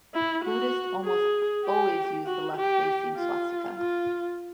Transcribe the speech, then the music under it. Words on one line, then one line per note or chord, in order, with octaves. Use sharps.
Buddhists almost always use the left-facing swastika.
E4
F#4
G#4
G4
F#4
G4
F4
F4